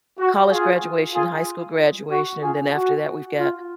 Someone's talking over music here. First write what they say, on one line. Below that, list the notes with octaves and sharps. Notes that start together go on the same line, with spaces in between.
college graduation, high school graduation, then after that, we've got
F#4
F4 G#4
F4 G#4
F#4
F4 G#4
F#4
F4